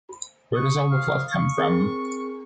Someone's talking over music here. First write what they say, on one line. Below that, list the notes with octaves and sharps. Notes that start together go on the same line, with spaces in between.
Where does all the fluff come from?
C#6 D#6
F5
C#6
C4 G#4 A#4